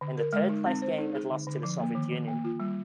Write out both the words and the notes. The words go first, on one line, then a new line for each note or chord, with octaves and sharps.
In the third-place game it lost to the Soviet-Union.
D3
A#4
G#3
D#4
C4
C5
D#4
G#4
D3
D3
F3
A#3
D#3
D#3
A#3
F4
G3